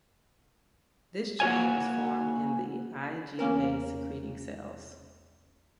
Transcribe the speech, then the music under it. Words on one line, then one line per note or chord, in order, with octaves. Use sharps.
This chain is formed in the IgA-secreting cells.
A#3 F#4 C#5 G#5
E2 A#3 C#4 A#4